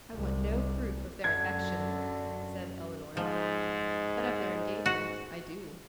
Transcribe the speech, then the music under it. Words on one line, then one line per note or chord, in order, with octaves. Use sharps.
"I want no proof of their affection," said Elinor; "but of their engagement I do."
C2
F#2 D3 G#6
G#2 F3
F#4